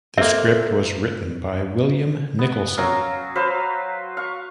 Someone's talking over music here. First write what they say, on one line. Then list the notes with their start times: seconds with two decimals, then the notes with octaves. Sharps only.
The script was written by William Nicholson.
0.18 A#3 C4 A4 E5
2.39 B3
2.77 F#3 C#4 F5
3.35 F#3 B4 C5 F5
4.17 F5 C#6